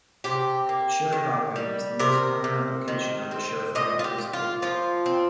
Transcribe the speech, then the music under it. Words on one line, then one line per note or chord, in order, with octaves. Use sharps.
Sharecropping is the most common application of the sharefarming principle.
C3 G4
A#3
D#3
G3
C3 A#4
C3
D#3
C4
A#2 D#5
F4
G4
A#2
F4
F3 F4
C4